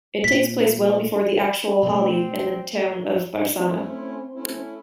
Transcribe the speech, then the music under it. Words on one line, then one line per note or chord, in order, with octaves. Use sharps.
It takes place well before the actual Holi in the town of Barsana.
A#2 B6
B2 F#3 A3 C4
A3 C4 C#4 E4
A3 C#4 E4